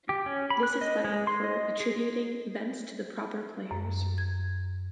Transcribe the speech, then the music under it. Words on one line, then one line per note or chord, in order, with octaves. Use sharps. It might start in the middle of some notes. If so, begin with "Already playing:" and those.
This is vital for attributing events to the proper players.
G4
C#4
B5
F#6
D#5
G#3
C6
D#5
G#4
F#2
G#6